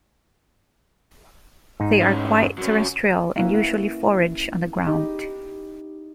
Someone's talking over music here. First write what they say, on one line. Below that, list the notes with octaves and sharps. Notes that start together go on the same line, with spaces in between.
They are quite terrestrial, and usually forage on the ground.
G#2 D#4
A2 C#4
F#3 C#4
A#3 B3 C#4 E4 F5 A#5
B3 E5
D#4 G4 D#5 B5